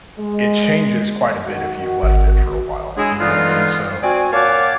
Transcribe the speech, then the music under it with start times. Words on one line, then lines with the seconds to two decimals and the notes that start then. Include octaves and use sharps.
it changes quite a bit if you've left it for a while, you know what I mean, so
0.19 G#3
1.47 D#3 F#4
2.03 G#1
2.96 F#3 G#3 D4 E4 G#4
3.18 D3 E3 G#3 B3 D#4 F4
4.02 C4 F#4 D5 G#5
4.32 A#2 C#5 F5 F#5 A5 D6